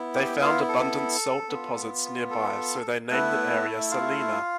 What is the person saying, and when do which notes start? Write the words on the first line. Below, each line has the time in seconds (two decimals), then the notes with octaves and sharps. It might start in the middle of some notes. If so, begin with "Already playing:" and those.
They found abundant salt deposits nearby so they named the area "Salina".
Already playing: B3 E4
0.15 G4 G5
0.42 F4 F5
0.68 A4
1.49 B3 F4
2.30 A4
3.10 A3 B3 E4 B4
3.91 F4 F5